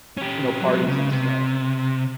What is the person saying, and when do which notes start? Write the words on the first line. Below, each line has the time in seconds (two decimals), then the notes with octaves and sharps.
you know, parties and stuff.
0.17 C#4 G4
0.61 F#3 G#3
0.87 C#3
1.12 C3